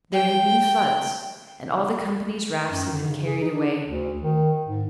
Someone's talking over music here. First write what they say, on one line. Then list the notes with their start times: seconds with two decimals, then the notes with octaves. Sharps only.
There had been floods and all the company's rafts had been carried away.
0.13 G5
2.68 F#2
2.92 D3
3.08 C#3
3.25 G#4
3.41 D#4
3.54 D4
3.86 D2
4.22 D#3
4.66 G#2